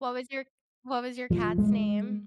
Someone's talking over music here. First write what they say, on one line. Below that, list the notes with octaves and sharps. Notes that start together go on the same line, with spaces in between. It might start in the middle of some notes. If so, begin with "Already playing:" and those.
What was your what was your cat's name?
F3
G#3